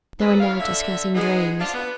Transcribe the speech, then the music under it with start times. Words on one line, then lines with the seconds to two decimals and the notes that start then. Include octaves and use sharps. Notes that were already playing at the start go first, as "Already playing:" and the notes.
They were now discussing dreams.
0.20 D#3 C4 D4 G#4 B4
0.40 E4 C#5 F5
0.59 D3 E5
1.15 G#3 B3 D#4 G#4
1.59 D4 F4
1.73 B3